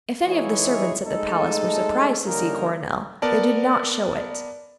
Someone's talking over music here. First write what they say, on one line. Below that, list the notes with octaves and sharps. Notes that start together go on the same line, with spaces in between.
If any of the servants at the Palace were surprised to see Coronel, they did not show it.
E3 G#3 D#4 E4 G#4 C#5
G#3 A3 D#4 A4
D3 G3 A#3 C#4 D#4 A#4
B3 A#4 D5 A5